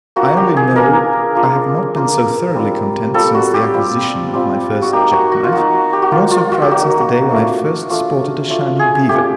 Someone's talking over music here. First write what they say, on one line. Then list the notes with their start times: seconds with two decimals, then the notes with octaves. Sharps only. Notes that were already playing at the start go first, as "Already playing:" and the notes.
I only know I have not been so thoroughly content since the acquisition of my first jackknife; nor so proud since the day when I first sported a shining beaver.
0.16 A#3 D4 F4 F#4
0.37 G4
0.57 G#4
0.76 A#3 D4 F4 A#4
1.35 A#3 D4 F4
1.95 A#3 D4 F4
2.55 G3 C4 F4
3.14 G3 C4 F4 A4
3.34 F#4
3.54 G4
3.74 G3 C4 F4
4.33 G3 C4 F4
4.82 F#4
4.93 A#3 D#4 G4
5.12 F#4
5.32 F#4
5.44 F4
5.52 A#3 D#4 F#4
5.93 G4
6.02 F#4
6.11 A#3 D#4 F4
6.31 F4
6.52 F#4
6.62 G4
6.71 A#3 D#4 F#4
7.31 A3 D4 F4
7.90 A3 D4 F4
8.50 A3 D4 F4
8.79 G#4
9.09 A3 D4 F4 G4